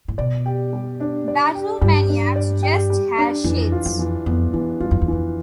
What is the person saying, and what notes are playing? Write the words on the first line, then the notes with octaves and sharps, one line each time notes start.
"Battlemaniacs" just has shades.
A2
B2 D5
G4
G3
D4
D5
G4
G2 G3
D4
D5
G4
G3
D4
F2 E3
F4
F2
E3
F2 B3
E2 E3
G2 F4
F2
E2
F2 E3